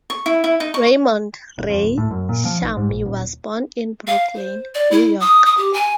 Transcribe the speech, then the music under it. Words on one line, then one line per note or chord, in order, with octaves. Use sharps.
Raymond "Ray" Shamie was born in Brooklyn, New York.
C#6
E4
E4
D#4
C#6
D#1
F2
D1
A2
F#2
A#2
F3
B1
G#2
A#1
D#1
F5
C5
D5
E4
D#6
D#6
G4
G#5